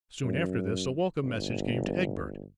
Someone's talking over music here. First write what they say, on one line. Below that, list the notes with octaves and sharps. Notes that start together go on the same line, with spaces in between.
Soon after this a welcome message came to Egbert.
F#2
G1